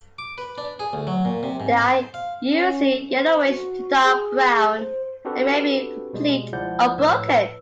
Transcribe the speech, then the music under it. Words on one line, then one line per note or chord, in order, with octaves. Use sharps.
They are usually yellowish to dark-brown, and may be complete or broken.
D6
B4
D4
G#4
D2
F#3
A#2
C3
G#2
C5
F5
C#4
C5
F#4
G#4
C5
C4 D4 F#4 G4 A4 B4
B2 G3 G#3
C#2 F3 E4 D5 F#5 G6
A#1 A2 B4 C#5 E6